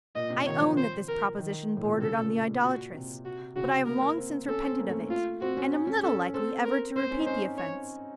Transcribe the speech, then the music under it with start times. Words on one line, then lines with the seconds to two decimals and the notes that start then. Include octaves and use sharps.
I own that this proposition bordered on the idolatrous, but I have long since repented of it, and am little likely ever to repeat the offence.
0.15 A#2 D#5
0.30 C3
0.46 D#3 C#5
0.62 F3
0.77 C5
1.08 A#4
1.39 D#3
1.77 A2
1.84 A#2
1.92 C3
2.01 C#3 A4
2.17 A#2
2.63 F#4
2.94 C3
3.25 F#4
3.56 C#3 F#4
3.86 A#3 A#4
4.03 A#3
4.17 C4
4.48 C#4 A4
4.64 C4
4.79 A#3
4.89 A3
5.00 A3
5.10 F4
5.41 C4 F#4
5.57 C#4
5.72 C#4
5.87 C#4
6.03 C#4 A4
6.34 C4 A4
6.65 A#4
6.96 C4 C5
7.11 C#4
7.20 D#4
7.27 C#4 C5
7.58 C#5